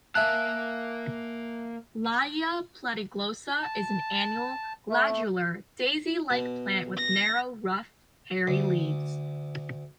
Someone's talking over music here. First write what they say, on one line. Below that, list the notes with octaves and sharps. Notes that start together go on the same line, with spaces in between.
"Layia platyglossa" is an annual, glandular, daisy like plant with narrow, rough hairy leaves.
A#3 E5 F5 G#5 A5 F#6
A5
A3
B2
A#6
D2